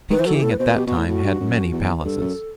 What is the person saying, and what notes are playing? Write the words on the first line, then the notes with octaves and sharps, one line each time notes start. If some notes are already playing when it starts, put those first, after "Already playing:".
Peking at that time had many palaces.
D#3 B4
E3 C5
F#3 A4
E3 G4
A2 A4
B4
B2 C5
B4
B2 G4
B2 F#4
A2 E4
A2 F#4
G2
F#2
E2
B4
G2 A4
F#2